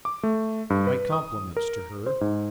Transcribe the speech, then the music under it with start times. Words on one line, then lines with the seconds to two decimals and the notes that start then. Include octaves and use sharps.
'My compliments to her.
0.05 D6
0.23 A3
0.70 G2
0.87 B4
1.12 D#6
1.57 A#4
2.06 C5
2.21 G#2